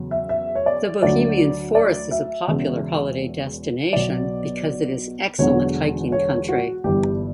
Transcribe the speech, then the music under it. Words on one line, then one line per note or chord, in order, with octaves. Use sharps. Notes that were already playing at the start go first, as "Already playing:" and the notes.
The Bohemian Forest is a popular holiday destination because it is excellent hiking country.
Already playing: E2 C#3 F#3
E5
E5
C#5
D5
D2 D3 F#3 D5
D5
E5
E1 E2 C#3
B1 B2 F#3 D5
E1 E2 D3 F#3 C#5
C#5
F#4
G1 G2 E3 G4